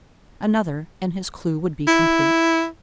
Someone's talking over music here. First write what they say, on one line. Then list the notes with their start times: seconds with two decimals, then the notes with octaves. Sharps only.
Another, and his clue would be complete!
1.88 E4